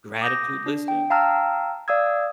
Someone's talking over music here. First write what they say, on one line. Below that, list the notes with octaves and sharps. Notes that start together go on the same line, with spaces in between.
gratitude listing,
D6 D#6 G6 A#6
D4
G5
F5 G5 A5 A#5 E6 F6
D5 F5 D#6 E6 G#6
D#6